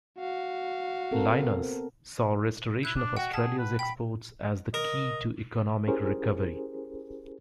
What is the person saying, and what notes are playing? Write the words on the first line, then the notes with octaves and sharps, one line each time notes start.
Lyons saw restoration of Australia's exports as the key to economic recovery.
F#4 F5
C4 A4 A#4
B3
E4 F#6 G6
D4
F#4 D#5 F#5 G5
G#4 A5
B4
G5 B5
A#4 D#5
C#4 E4 G4 G#4 A#4 C5